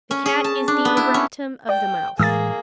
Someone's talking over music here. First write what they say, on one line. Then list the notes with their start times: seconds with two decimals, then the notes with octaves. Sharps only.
The cat is the erratum of the mouse.
0.11 C#4
0.26 G#4
0.44 A5
0.68 D4
0.85 B3
0.97 E4
1.14 C#4
1.69 D5 G5
2.19 A2 E3 G#3 A#3 G#4 D#6 E6 A6